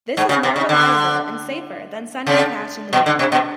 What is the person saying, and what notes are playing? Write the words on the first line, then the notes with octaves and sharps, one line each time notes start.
This is more reliable and safer than sending cash in the mail.
G#2
C#3
C3
C#3
D3
C#3
B2
D3
C3
B2